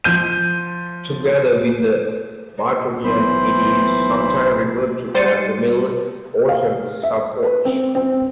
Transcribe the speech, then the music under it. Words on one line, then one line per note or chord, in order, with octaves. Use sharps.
Together with the Bartonian it is sometimes referred to as the Middle Eocene subepoch.
F3 G6 D#7
B1 E3 C5 B5
G3 C5 D5 A6 C#7 D#7
F5
E5
B4
C4
C4